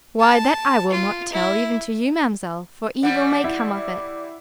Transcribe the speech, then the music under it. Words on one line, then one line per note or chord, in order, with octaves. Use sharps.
'Why that I will not tell even to you, ma'amselle, for evil may come of it.
A5
F4
E4
E3 G3 D5 F#5 B5
E4